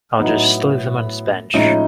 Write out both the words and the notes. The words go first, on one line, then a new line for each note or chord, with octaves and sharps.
I'll just leave them on this bench.
A2 F#3 B3 D#4
A2 F3 G#3 C#4 D#4